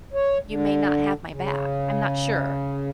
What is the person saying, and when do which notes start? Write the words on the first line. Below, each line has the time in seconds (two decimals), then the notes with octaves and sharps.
you may not have my back. I'm not sure."
0.13 C#5
0.46 D3
1.30 C#3